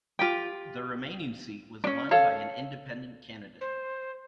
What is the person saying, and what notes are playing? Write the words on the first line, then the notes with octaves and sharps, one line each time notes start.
The remaining seat was won by an independent candidate.
F4 G4 G5
C#4 D4
A4 C#5 F5
C5